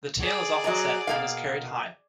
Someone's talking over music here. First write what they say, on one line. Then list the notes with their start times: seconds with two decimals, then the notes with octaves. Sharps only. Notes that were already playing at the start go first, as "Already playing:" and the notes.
The tail is often set and is carried high.
0.20 G#4 D5
0.64 F#3 D#5 A#5
1.07 B2 A#3 F5